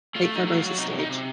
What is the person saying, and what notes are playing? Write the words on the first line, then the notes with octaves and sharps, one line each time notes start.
Late fibrosis stage.
A3 F4
D#4
F#3
F4
C3 D#4
D#4
C3